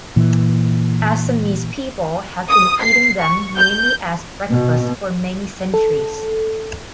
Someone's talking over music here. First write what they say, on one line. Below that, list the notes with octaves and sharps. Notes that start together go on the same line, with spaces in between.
Assamese people have been eating them mainly as breakfast for many centuries.
A#2 E3
D#6
C7
C#6
G6
B2
A4